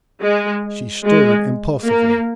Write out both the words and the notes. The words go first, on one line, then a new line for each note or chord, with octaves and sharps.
She stirred impulsively.
G#3
G#3
A#3